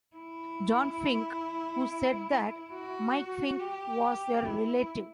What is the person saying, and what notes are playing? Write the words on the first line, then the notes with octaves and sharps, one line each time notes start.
John Fink, who said that Mike Fink was a relative.
E4
F#4
G4
E4